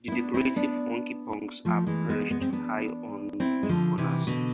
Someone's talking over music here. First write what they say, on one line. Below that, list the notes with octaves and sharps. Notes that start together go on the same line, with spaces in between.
The decorative "hunky-punks" are perched high on the corners.
E4
B3 D4
C4 E4
B3 D4
F3 A3
E3 G#3
G#3 B3
G#3 B3
C4
B3 D4
C4 E4
G#3
D3 F3
C3 E3
B2 D3